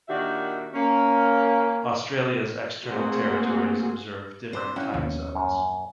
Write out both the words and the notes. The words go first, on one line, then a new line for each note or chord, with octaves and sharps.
Australia's external territories observe different time zones.
A#2 D#3 D4 F#4 G4 E5
A#3 C#4
A3 A#3 C4 F#4 G#4
C4 D4 B4 C5
C#4 E4 F#4 F5 G5
D#2 B2 F3
F#2